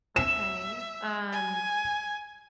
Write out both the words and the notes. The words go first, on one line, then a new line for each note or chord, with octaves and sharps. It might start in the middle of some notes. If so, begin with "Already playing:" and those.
Okay. Um
E5 E7
G#5